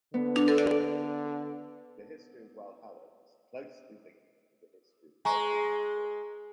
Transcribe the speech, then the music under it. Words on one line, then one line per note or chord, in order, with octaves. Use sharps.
The history of Walhalla is closely linked to the history of gold in Victoria.
D3 B3
G#3 G#5 A#5 C#6